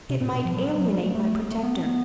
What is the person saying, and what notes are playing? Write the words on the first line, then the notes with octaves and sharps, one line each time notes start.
It might alienate my protector.
C3
A#2
B2
F3
F#3
F#3
F#3
G3
A3
A3
A3
B3
C4
B3